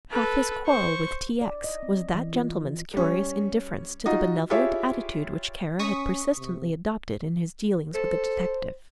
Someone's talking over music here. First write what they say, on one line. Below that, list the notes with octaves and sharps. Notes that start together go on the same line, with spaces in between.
Half his quarrel with T. X. was that gentleman's curious indifference to the benevolent attitude which Kara had persistently adopted in his dealings with the detective.
A4 B4
C5 C#6
D5
D#5
C4
E3
F4
G3 C#4
D#4 F4 F#4 D#5
E4 F4 G4 G#4 C#5 E5
C#4 C#6 D#6 B6
C3
A4 C5